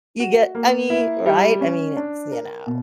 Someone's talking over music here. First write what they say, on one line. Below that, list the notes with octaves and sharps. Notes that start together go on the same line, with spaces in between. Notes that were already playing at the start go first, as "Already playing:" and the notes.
You get I mean, right, I mean, it's, you know,
F#4
A#3
E4
G3
C#4
D4
A#4
B2